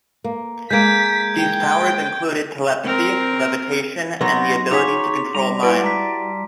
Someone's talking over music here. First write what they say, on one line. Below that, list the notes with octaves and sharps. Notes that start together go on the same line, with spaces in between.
These powers included telepathy, levitation, and the ability to control minds.
A#3
G#3 A#3 G6 G#6 B6 D7
G5
C4 A#4
F#3 B3 D#4 A#4 C6 A#6
D#4 F#4 G#4 C#5 D6 B6
G3 A#5
E4 F#4 B4 D5
A5 A#5 B6